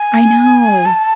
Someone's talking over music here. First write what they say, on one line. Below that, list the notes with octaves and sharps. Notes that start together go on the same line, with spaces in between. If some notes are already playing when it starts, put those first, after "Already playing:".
I know.
Already playing: G#5
A5